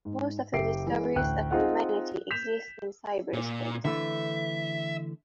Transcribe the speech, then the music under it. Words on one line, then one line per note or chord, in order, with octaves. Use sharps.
Most of the discoveries of humanity exist in cyberspace.
G#2
F#1 G4 E5 C7 D7
E3 G#3
A1 D2 G5 F#6
C4 D#4 F4 G#4 F#5
G6 B6 E7 F7
A#2
D3 E3 A3 E5